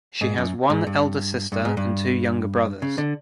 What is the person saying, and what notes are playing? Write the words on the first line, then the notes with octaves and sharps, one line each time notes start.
She has one elder sister and two younger brothers.
G#2
F#2
G#2
G2
G2
G#2
G2
C#3
D3